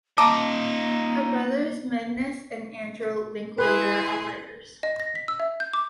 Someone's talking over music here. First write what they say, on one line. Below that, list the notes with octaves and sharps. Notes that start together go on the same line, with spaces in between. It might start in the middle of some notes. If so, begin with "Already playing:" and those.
Her brothers Magnus and Andro Linklater are writers.
A#3 D#4 F4 A5 A#5 D6
E4 G#4 B4 C6
D#5
A#6
B6
E6
E5
G6
D6